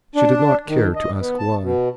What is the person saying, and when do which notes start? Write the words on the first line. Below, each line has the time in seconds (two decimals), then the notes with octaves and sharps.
She did not care to ask why.
0.16 D4
0.68 D#3
0.96 D#5
1.19 B3
1.39 A5
1.63 B2